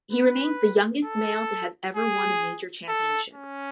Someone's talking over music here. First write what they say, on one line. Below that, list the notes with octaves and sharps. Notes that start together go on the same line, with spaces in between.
He remains the youngest male to have ever won a major championship.
B4
A4
G#4
A4
C#4